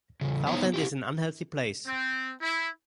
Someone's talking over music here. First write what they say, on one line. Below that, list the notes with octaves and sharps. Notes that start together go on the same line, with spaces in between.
South End is an unhealthy place.
E2 C#3
B3 D#4 E4 C5 C#5 A#5
E4 F4 G4
C4
E4